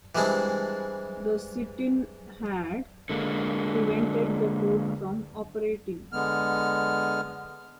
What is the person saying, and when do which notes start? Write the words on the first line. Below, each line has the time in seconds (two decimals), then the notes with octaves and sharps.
The sit-in had prevented the court from operating.
0.15 E3 G3 G#3 C4 D4
3.10 D3 G#3 A#3
6.13 D3 G#3 B3 F6